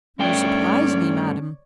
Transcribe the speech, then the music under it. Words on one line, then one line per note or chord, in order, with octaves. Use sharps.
"You surprise me, madam."
G2 A3 C#4 C#5 D5 G5